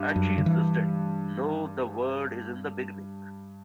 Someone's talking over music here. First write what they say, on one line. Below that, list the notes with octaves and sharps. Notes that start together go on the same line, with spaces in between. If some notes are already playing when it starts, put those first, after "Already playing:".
And she insisted, no the word is in the beginning.
Already playing: G2
F#2
D3
E3